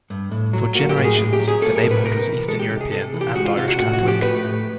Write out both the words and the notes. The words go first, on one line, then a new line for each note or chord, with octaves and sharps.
For generations, the neighborhood was Eastern European and Irish Catholic.
G2
A2
F#3
A#3 F#4
G4
A2
G#4
A2
G4
F#3
G#4
A#3 A4
A#4
A2
B4
C3 A#4
E3
G#3 A4
G4
C3
G#4
C3 A4
E3
G4
G#3 F#4
F4
C3 F4
F#4
A2 F#4
F#4
F3
G4
A3 B4
A2